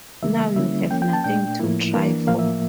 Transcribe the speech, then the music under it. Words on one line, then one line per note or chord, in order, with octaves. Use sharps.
Now you have nothing to try for.
C#3 E3 G3 A#3 E5
D3 G3 A#3 C#4 E4 E5
F3 A#3 C#4 G5
G5
A5
A#2 A3 D4 G5
A2 F3 A#3 E4
E3 A#3 D4
A2 F3 A#3 F5
E5